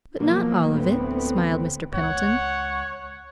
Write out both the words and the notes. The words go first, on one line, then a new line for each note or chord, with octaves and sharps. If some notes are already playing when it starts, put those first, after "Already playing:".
"But not all of it?" smiled Mr. Pendleton.
B2 F3 F#3 A#3
D2 A2 B3 C4
C#2 C#5 F#5